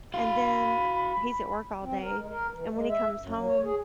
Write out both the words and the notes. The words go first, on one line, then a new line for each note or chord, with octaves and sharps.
and then he's at work all day, and when he comes home,
F#4 F5 B5
C4
A#4
G#3
A#4
E3
G#3
E5
F#2
F#3
C#5
G#4